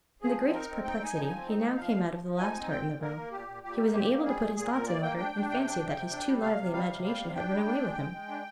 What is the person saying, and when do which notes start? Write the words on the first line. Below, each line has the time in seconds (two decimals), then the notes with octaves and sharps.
In the greatest perplexity, he now came out of the last heart in the row; he was unable to put his thoughts in order, and fancied that his too lively imagination had run away with him.
0.22 F3 G#4
0.37 C4
0.53 D#4 A#4
0.69 C4
0.84 D#4 G5
1.00 D#4 G#5
1.15 F3
1.25 G#5
1.31 C4
1.46 D#4
1.61 F3
1.77 F3 F5
1.92 F3
2.08 F3
2.23 F3
2.39 D#4 G#5
2.55 C4
2.70 A#2 G5
2.85 A#2
3.01 A#3 A#4
3.17 A#3
3.31 A#2 G4
3.48 A#2
3.63 A#2 G4
3.78 A#3
3.93 A#2 G4
4.09 A#3
4.25 G3 G#4
4.40 A#2
4.56 A#2 G#4
4.71 A#2 A#4
4.87 A#3 D5
5.02 A#3 G5
5.17 D4 G5
5.34 D4
5.49 C3 G5
5.64 D4
5.80 C3
5.95 C3
6.11 D4
6.26 G3
6.41 C3 F5
6.57 C3
6.72 G3 F5
6.88 C3
7.04 G3 F5
7.19 C3
7.35 D4 G5
7.50 G3
7.65 D4
7.81 G#3
7.97 G#3
8.12 G#3
8.28 D4